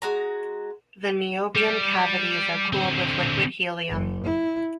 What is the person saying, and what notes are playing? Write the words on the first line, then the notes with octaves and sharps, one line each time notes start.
The niobium cavities are cooled with liquid helium.
G#3 F#4 A#5
G3
D3 C4
F#1
E4